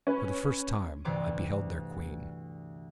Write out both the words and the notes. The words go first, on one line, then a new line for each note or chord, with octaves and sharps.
For the first time I beheld their queen.
C#4 B4
D2 G2 C3 E3 C6 D6